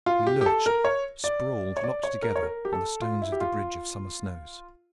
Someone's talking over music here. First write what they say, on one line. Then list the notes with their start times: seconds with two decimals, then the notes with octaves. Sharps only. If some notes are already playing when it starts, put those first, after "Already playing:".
We lurched, sprawled, locked together, on the stones of the Bridge of Summer Snows.
0.06 F4
0.27 G4
0.41 G4
0.46 A4
0.66 A#4
0.84 C#5
1.24 D5
1.77 C#5
1.84 D5
2.04 C#5
2.22 A#4
2.36 C#5
2.43 A#4
2.65 G4
2.73 A4
3.02 F4
3.22 E4
3.32 G4
3.41 F4